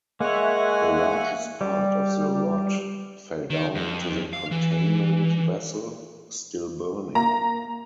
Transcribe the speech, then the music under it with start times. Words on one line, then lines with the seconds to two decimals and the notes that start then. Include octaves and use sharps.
The largest part of the rod fell down into the containment vessel, still burning.
0.21 G#3 A#3 C#5 E5 F#5 G#5 C#6 F#6
1.61 G3
3.50 D#3
3.75 F2
4.33 F5
4.51 E3
7.15 A#3 A#5